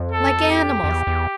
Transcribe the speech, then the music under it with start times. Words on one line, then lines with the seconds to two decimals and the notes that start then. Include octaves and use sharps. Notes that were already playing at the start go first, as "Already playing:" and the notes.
Like animals!
Already playing: F2
0.12 A4
0.51 G4
0.84 F2
0.89 E2
1.07 E2